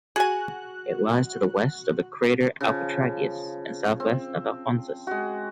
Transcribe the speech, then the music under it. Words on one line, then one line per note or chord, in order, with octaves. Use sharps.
It lies to the west of the crater Alpetragius, and southwest of Alphonsus.
F#4 G#4 G#5 F#6
C#3 F3
C4
G#3 F#4